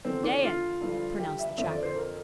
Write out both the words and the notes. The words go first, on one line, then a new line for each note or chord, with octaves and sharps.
"Dead!" pronounced the tracker.
E2 D3 F3 C4
D4
F4
G2 D3 F3
G4
E5
F2 D3 F3 E5
D5
C5
A#4